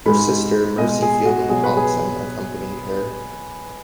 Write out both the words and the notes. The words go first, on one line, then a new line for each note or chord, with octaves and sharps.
Her sister, Mercy Fielding Thompson, accompanied her.
G#2 G#3 B5
B2 G#3 D#5
G#4
F#4
B2 F#3 G#4
B4
G#4